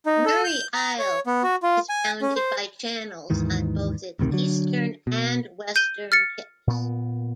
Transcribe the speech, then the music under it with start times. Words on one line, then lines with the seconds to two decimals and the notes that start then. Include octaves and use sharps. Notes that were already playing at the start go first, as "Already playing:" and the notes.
Murray Isle is bounded by channels on both its eastern and western tips.
0.06 D#4
0.26 A4
0.44 G6
0.74 A#5
0.99 C#5
1.26 B3
1.43 F#4
1.63 F4
1.89 G#5
2.21 C#4
2.36 C5
3.30 D#2 G#2 D#3 E3
4.19 A1 D2 C3 D#3
4.32 D3 F#3
5.07 B2
5.76 G6 D#7 G7
6.12 F6 A6 C#7
6.67 A#2 B3